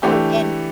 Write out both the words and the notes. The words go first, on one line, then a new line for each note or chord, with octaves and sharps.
Oh, and
E3 A3 D4 G4